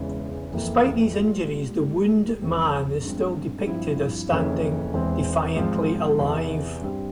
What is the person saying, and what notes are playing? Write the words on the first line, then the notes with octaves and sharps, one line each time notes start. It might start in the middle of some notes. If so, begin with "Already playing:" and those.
Despite these injuries the wound man is still depicted as standing defiantly alive.
Already playing: E1 E2 C#3 E3 G#3
F2 E3 A#3
G#2 G3 A#3 F4
G#2 G3 A#3 E4
E1 E2 C#3 F3 C4
G2 F3 G#3 C4
G2 F3 C4 E4
F2 C#3 E3 A#3 C#4
E1 E2 E3 G#3 C4
G#1 G#2 F3 G#3 C4
E2 C3 E3
G2 G3 C4